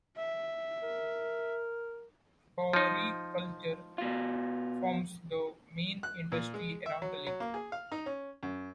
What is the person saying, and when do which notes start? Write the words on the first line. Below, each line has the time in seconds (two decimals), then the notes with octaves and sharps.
Floriculture forms the main industry around the lake.
0.17 E5
0.83 A#4
2.73 F3 D#4
3.98 B2 F4
6.03 F#6
6.32 A#2
6.54 G#3
6.86 E5
7.02 F#3
7.27 F#3
7.40 A#3
7.54 G#4
7.72 F5
7.92 D#4
8.06 C#4
8.43 F#2